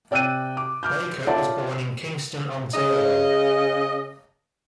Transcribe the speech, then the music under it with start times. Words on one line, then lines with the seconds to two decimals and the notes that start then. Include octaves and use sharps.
Baker was born in Kingston, Ontario.
0.11 C3 D5 G5 E6 F#6 D#7
0.57 D6
0.83 D6 F6 G6
1.27 F4 C#5 D5 E5 F#5 A5
2.74 C#3 D#5